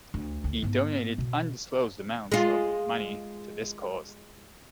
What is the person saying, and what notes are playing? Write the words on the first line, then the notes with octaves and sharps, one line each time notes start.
He donated undisclosed amounts of money to this cause.
D2
D2
G#2 B3
B2
G#3 F4